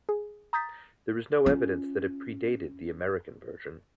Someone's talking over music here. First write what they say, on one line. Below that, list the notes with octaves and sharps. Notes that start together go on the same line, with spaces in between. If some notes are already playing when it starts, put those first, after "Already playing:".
There is no evidence that it predated the American version.
G#4
A#5 D#6 G6 A6 B6
C#4 F4